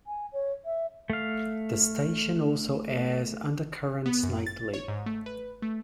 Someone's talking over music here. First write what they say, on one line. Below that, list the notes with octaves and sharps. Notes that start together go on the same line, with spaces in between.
The station also airs "UnderCurrents" nightly.
G#5
C#5
E5
A3 F5
B3
F#2
A6
C#5
G#2
A3
B4
A3